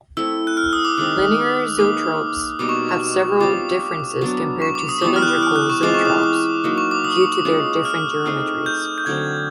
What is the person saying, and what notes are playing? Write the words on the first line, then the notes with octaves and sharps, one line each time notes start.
Linear zoetropes have several differences compared to cylindrical zoetropes due to their different geometries.
A3 C4 E4 E6
F#6
F6
D#6
D6
D#3 G#3 C4 D6
A#3 D#4 G#4 B4 D6
B2 G3 A#3 D#4 D6
C#6
C#6
G3 C4 F4 D6
F#3 B3 D4
C#6
D6
D#6
E3 G3 B3 D6
F6
F#6
F6
F#6
C#6
E3 G#3 C4 F4 D6
C#6
D6
D6
F#3 A#3 D#4
C#6
D6
D#6
G#3 C#4 F4
F6
A3 C4 D#4 G#4
G6
G6
D3 F#3 A3 C4 G#6